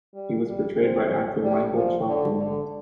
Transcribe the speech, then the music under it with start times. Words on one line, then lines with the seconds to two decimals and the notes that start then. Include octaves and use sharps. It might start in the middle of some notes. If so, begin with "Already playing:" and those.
He was portrayed by actor Michael Troughton.
0.14 G3
0.45 G3
0.77 C4
1.42 G3
1.73 F3
2.06 D3
2.37 D3